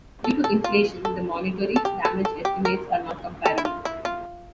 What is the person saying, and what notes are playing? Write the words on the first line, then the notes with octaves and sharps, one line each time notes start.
Due to inflation, the monetary damage estimates are not comparable.
A4
A4
F4
A4
A4
G4
A4
A4
G4
A#4
A4
E4
F4
E4
F4